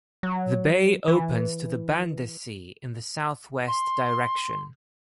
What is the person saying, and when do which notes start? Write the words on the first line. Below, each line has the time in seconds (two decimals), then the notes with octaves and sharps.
The bay opens to the Banda Sea in the southwest direction.
0.23 F#3
1.08 E3
3.68 C6